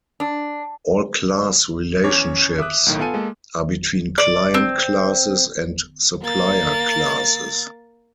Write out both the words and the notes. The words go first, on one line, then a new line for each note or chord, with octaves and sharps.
All class relationships are between client classes and supplier classes.
D4
E2 C#4 C#5 D6
E5 D6 D#6 F#6
B1 A2 D#3
B3 F4 A4 G#5 D#7
G#3 A#3 A4
D5
C4
A#3 A6